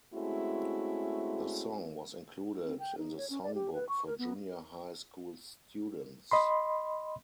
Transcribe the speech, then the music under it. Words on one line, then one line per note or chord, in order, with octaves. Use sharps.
The song was included in the songbook for Junior High School students.
G#3 A3 C4 C#4 E4 F#4
C4
G5
D#4
C#5
C#4
D5
G4
B4
C#6
A#4
B3
D#5 B5 C6